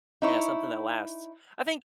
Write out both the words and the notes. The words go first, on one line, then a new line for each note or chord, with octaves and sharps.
Yeah, something that lasts. I think,
D#4 E4 C#5